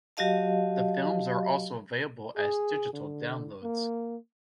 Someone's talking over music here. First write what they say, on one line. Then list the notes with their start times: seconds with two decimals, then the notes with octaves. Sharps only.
The films are also available as digital downloads.
0.17 F#3 F#4 G4 D#5 F5 A5
2.37 G#4
2.93 D3
3.63 A#3